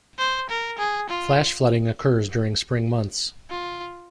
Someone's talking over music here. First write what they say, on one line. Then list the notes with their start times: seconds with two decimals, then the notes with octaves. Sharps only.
Flash flooding occurs during spring months.
0.18 C5
0.49 A#4
0.78 G#4
1.09 F4
3.50 F4